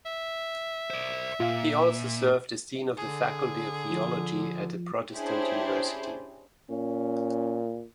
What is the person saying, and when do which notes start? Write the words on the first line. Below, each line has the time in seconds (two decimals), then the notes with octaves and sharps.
He also served as dean of the Faculty of Theology at the Protestant University.
0.06 E5
0.90 C5 D5
1.40 A#2 F4 F5
2.97 D3 G#4
3.91 F3
5.16 C#4 D4 E4 G4 G#4 C5
6.70 A#2 C#4